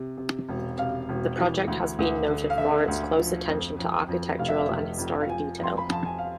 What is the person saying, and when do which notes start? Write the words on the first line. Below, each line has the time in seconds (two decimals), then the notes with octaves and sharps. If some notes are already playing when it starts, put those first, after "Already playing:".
The project has been noted for its close attention to architectural and historic detail.
Already playing: C3
0.18 C3
0.49 E1
0.78 C3 F5
1.09 E1
1.38 E3
1.68 D2
1.99 D2
2.28 D3
2.50 F5
2.58 D3 E5
2.88 D2
3.18 F3
3.48 F2
3.79 F2
4.09 F2
4.39 F1 F5
4.49 E5
4.59 F5
4.69 F1
4.98 F2
5.21 F5
5.29 F3 G#5
5.59 F2 C6
5.78 B5
5.89 F2 A5
6.05 G#5
6.18 F5